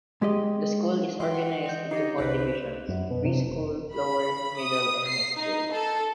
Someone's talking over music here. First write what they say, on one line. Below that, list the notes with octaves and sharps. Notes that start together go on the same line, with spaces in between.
The school is organized into four divisions: preschool, lower, middle and high school.
G#3 G4 D#5
E3 G5 C6
F#5
D#5 G6
D#4 G4 D#5 C7
C2 D3 B4 C5
F#2
B2
C3
F1
B5
D#6
C7
D#4
A4